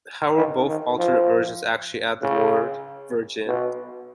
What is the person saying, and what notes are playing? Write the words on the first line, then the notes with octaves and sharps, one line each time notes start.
However, both alternate versions actually add the word "virgin".
D#3
D#3
F3
C#3
B2